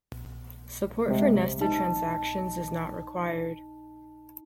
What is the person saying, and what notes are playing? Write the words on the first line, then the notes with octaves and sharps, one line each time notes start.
Support for nested transactions is not required.
C3 G#3
D#4 A5